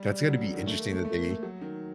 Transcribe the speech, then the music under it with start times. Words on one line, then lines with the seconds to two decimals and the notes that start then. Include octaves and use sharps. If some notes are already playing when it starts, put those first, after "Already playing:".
That's gonna be interesting that they
Already playing: G3
0.10 G3
0.28 F#3
0.41 D3
0.54 D#3
0.67 A3
0.79 A#3
0.93 A3
1.05 A3
1.17 A#3
1.30 A3
1.43 F#3
1.61 D#3